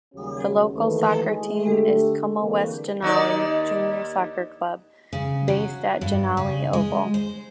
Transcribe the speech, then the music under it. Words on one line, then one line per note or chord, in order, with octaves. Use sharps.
The local soccer team is Como-West-Jannali Junior Soccer Club, based at Jannali Oval.
D#2 C#3 F#3 G3 C#4 F#4
D#2 D#3 E3 F#3 A3 B4
G#3
D3 A3 G4
D3 E3 G#3 A#3 C4 D4
D#2 D#4 D5
C#3
F#3
G2
C#3
G#3
C5